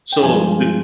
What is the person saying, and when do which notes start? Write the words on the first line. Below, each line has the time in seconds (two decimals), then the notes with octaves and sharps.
so the
0.12 G5
0.23 G2 F3 G#3 G#5